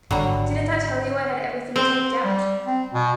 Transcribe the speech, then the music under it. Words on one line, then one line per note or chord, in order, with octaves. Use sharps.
Didn't I tell you I had everything taped out?
G#1 D3 F#3 G3 A#5
C4
G3
C4
B2